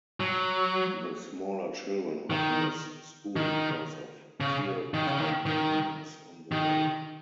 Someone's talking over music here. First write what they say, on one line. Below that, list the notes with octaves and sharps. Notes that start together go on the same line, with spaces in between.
The smaller children often miss school because of fear for hyenas on the way.
F#3
D#3
D#3
C#3
D#3
C#3
D#3
D#3
D#3